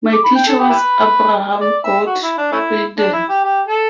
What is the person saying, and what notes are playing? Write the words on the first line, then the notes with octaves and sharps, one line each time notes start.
My teacher was Abraham Goldfaden.
D6
B5
G5
A4
G4
E4 G4 B4
D5
E5
F#4
E4
D4
A3 C#4 E4
D4
E4
G4
G4
A4